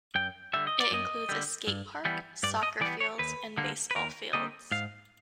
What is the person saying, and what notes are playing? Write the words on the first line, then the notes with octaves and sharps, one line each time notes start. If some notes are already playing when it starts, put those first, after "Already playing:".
It includes a skate park, soccer fields, and baseball fields.
F#2 G5
D3 G3 E5
D#5
D5
F#2 D#5
D3 G3
G2
E3 G3 B3
G2 D5
D#5
E3 G3 B3 D5
C#5
D#2 B4
D3 G3 A#3
B4
D#2 A#4
D3 G3 A#3 D#5
G#2 F5